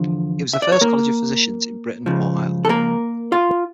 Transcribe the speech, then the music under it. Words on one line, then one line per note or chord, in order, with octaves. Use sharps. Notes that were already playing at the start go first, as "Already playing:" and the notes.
It was the first College of Physicians in Britain or Ireland.
Already playing: E2 D3 F3
E5
D5
C#5
A#3 A#4
C#2 C#3 F3
A4
A#3 A#4
F4 F5